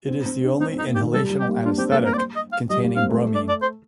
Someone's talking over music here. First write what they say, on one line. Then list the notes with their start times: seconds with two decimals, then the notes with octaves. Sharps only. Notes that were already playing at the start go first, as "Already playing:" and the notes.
It is the only inhalational anesthetic containing bromine.
0.08 C4
0.26 C4
0.44 D4
0.60 C4 D#4
0.74 C4
0.79 D#4
0.87 A#3
0.95 G4
1.00 D#3
1.13 G3 A4
1.30 G3
1.39 G4
1.48 A#3
1.65 D4 F4
1.78 C4 G4
1.91 A#3 A4
2.05 A#4
2.14 D5
2.18 C5
2.36 D#5
2.52 F5
2.70 G3 D#5
2.84 A#3
2.96 C4 F5
3.09 A3
3.35 D5
3.49 D5
3.62 C5